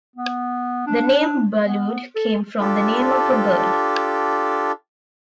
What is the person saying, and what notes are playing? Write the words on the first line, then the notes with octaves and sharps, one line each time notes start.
The name Balud came from the name of a bird.
B3
D4
B3
A4
D4 F4 G4 A4